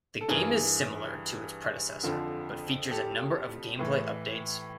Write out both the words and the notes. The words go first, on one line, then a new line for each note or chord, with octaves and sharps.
The game is similar to its predecessor, but features a number of gameplay updates.
A4
G2 E3 G#4 A#4
F2 D3 F3
G4 A4
A2 E3